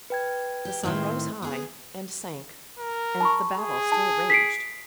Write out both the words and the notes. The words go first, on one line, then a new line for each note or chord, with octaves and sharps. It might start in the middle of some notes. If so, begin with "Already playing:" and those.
The sun rose high, and sank, and the battle still raged.
B4 G5 G#6
G4
A2 D#3 C4
B3 G#4
A#4
A5 B5 C#6
G#4
A5
B6 C7 D7